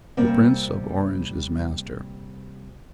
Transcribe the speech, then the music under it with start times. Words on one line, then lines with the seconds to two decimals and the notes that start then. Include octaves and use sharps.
The Prince of Orange is master.
0.17 C3 G3 A#3 C4